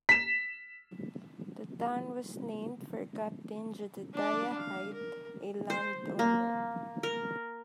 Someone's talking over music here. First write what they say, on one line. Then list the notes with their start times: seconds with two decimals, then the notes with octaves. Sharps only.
The town was named for Captain Jedediah Hyde, a landowner.
0.09 B6 E7
4.14 D4 D5
4.58 F5
4.94 A#4
5.70 C5
6.19 A#3
7.03 A#4